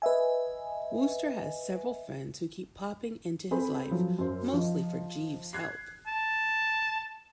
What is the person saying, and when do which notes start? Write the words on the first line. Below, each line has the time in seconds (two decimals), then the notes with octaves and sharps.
Wooster has several friends who keep popping into his life, mostly for Jeeves' help.
0.02 B4 D#5 E5 G#5
3.51 C4 G#4 A4 B4 C5 B5
3.91 F3 F#3
4.18 F#2 C5
4.53 F3 D#4
5.53 F#6 G#6 C7
6.07 A5